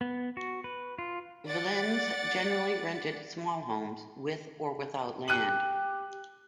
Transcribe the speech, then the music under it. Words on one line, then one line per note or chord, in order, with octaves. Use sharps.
Villeins generally rented small homes, with or without land.
B3
F#4
B4
F4
D5 F#5 A6
G4 F#6 D#7 F#7